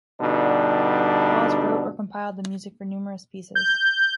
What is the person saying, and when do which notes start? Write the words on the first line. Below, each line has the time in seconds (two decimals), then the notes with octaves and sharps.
Hawes wrote or compiled the music for numerous pieces.
0.21 G2 B2 D3 G3 D4 D#4
3.55 G6